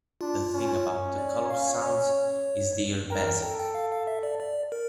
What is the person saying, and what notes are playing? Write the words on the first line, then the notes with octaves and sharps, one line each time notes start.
The thing about the Coloursounds is they're basic.
D4 F4
C#4
D5
F5
C#5
A#4 G5
G5
A4 G5
G5
F5
F5
E5
D5
D5
A#4